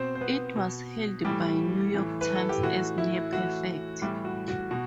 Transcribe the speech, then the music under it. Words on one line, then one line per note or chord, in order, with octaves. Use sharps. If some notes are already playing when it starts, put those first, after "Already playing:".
It was hailed by "The New York Times" as "near perfect".
Already playing: B2 C4 C5
C5
B3 B4
B2
A2 E3 G3 G4
A2 E3
B4
A4
G4
A2 E3 F#4
E4
A2 E3 F#4
A2 E3 G3 G4
F#4
F#4
B2 F#4